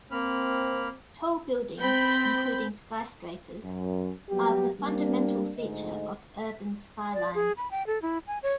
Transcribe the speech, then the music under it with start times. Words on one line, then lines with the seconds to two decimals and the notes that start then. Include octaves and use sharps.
Tall buildings, including skyscrapers, are the fundamental feature of urban skylines.
0.11 A#3 C4 B5 F6
1.80 C4 B5 G6
3.63 F#2
4.30 F#3 G3 B3 G4
4.79 G3 A#3 C4 D4
5.58 D2 G#2 A3 D#4 D#5
7.14 D5
7.35 G#4
7.57 B5
7.71 G5
7.87 A4
8.02 E4
8.27 G#5
8.43 C#5